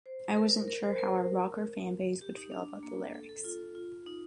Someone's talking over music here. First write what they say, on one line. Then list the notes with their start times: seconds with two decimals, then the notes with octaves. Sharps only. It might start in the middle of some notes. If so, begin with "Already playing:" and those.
I wasn't sure how our rocker fanbase would feel about the lyrics.
0.06 C5
0.37 A#4
0.68 A#4
0.83 C5
0.98 A#4
2.21 G4
2.37 D#4
2.52 D4
2.83 A#3
3.14 A4
3.29 A4
3.44 F4
3.75 F4
4.06 D#4